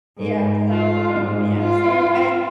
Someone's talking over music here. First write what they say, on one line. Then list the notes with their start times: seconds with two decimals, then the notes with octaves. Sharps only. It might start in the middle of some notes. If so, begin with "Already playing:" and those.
Yeah, so, um, yeah, so, I'd
0.17 G#2
0.69 F4
1.20 G#2
1.60 F4